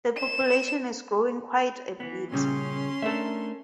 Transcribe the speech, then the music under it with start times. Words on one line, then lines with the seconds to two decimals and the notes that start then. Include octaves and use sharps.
The population is growing quite a bit.
0.17 E7
2.00 E3 B3
2.32 A#2 C#3 G3 C#4 C6
3.02 A3 D4 A4 A#4 E5